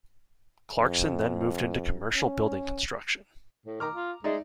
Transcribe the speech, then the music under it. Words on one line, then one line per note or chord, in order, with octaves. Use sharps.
Clarkson then moved into commercial building construction.
F2
C#4
A2
D#3 A#5 D6 F6
F4
G#3 D#4 D5 E5